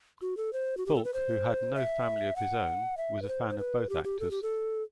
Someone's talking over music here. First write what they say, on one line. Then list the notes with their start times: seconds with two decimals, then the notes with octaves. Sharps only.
Fulk, who had no family of his own, was a fan of both actors.
0.22 F#4
0.37 A4
0.53 C5
0.77 F#4
0.86 G4
0.96 A4
1.04 B4
1.14 C5
1.75 E5
2.36 F#5
2.97 E5
3.22 B4
3.28 C5
3.50 C5
3.59 B4
3.89 G4
4.04 G4
4.20 A4
4.31 G4
4.43 A4